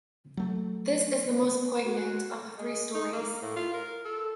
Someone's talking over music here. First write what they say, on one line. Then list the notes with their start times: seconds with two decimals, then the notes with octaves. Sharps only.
This is the most poignant of the three stories.
0.37 F#3 A3
1.84 F#4
2.58 G#3
2.94 D#4
3.13 A#3
3.42 A2
3.56 F4
3.74 A#4
4.05 A4